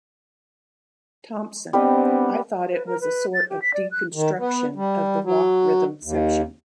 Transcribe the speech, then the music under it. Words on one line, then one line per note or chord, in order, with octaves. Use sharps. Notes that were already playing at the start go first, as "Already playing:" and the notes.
Thompson: I thought it was a sort of deconstruction of the rock rhythm section...
G3 B3 C4 D4 B4 D#5
B4
A#4
B4
A6
G4
B6
D5
F#6
D#3
B3
G3
F#3
D#2